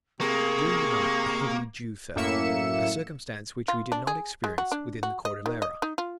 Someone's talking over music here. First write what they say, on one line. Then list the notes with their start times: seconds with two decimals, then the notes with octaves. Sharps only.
During the night a heavy dew fell, a circumstance which we did not experience within the Cordillera.
0.21 C3 A#3 G#4 C#6
2.16 F#2 A2 A#3 E5 C#7 E7
3.68 F4
3.92 D4
4.07 G#4
4.44 G#3
4.58 F#4
4.72 D4
5.03 F#4
5.25 D#5
5.46 D#3
5.62 D#5
5.82 D#4
5.98 F4